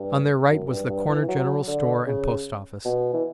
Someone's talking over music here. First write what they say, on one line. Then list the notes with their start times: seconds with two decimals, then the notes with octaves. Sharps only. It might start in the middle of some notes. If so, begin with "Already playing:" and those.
On their right was the corner general store and post office.
Already playing: G2
0.50 F#2
0.70 G2
0.89 G2
1.09 E3
1.22 E3
1.28 F#3
1.67 D3
2.07 C#3
2.85 B2
3.14 E3